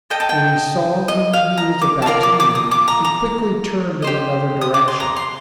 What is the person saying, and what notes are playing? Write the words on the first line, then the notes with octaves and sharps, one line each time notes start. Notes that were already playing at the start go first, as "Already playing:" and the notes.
When he saw whom he was about to meet, he quickly turned in another direction.
A4 D#5 G5
A5
G5
D#5
F5
A#5
D6
A5
F4 A#4 D5 A#5
D6
D6
D#6
D6
A#5
A#5
G4 C5 D#5
D#6
D6
C6
A#5
C6